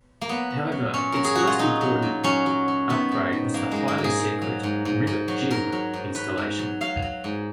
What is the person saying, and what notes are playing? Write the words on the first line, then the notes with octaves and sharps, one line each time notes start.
However its most important upgrade was the highly secret "Rivet Gym" installation.
A#3
F#3 B3
F#3
F#3
A#2 C#4
F#3 A#4
G#4
F#3 F#4
F4
A#2 D#4
F#3
A#2
F#3 C#4
F#3
F#3
D#3 B3
G#2
G#2
F#3 A#3
G#2 G#3
A#3
G#2
G#4
G#2
F#3
G#2
G#2
G#2
F#3
F#3 A#4
F#3
G#2
F#3 B4
G#2
F#3
F#3 F5
F#3
G#2